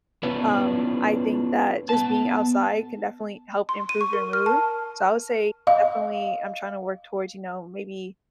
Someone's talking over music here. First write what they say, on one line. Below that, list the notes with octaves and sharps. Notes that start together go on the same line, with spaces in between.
Um, I think that just being outside can definitely help improve your mood. So, I would say, definitely, I'm trying to work towards, you know, maybe
B3 C#4 D4 E4 F4 B4
B3 A5
C6
D#7
C#6
A#4
F6
A5
D#5 F5